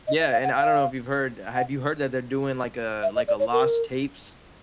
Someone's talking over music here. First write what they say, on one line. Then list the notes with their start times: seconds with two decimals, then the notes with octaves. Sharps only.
Yeah, and I don't know if you've heard have you heard that they're doing like a, like, a lost tapes?
0.07 D#5
0.19 E5
0.32 F5
0.44 F#5
0.56 F5
1.55 F#5
3.03 E5
3.16 D#5
3.28 D5
3.40 C#5
3.52 A#4